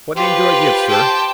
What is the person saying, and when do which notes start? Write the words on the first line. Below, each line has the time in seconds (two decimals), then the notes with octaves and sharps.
"What name do I give, sir?"
0.16 F4 G4 B4 C5
0.88 G5 A5